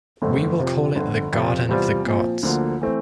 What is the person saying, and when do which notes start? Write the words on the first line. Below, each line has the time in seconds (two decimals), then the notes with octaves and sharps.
We will call it the Garden of the Gods.
0.22 G1 F2 D3 A3
0.59 F2 C3 F3
0.95 G1 F2 D3
1.32 F2 C3 F3 C4 F4
1.69 E2 C3 G3 C4 F4
2.05 A#2 F3 C4
2.43 D2 D3 F3 A#3
2.81 E3 A3 C4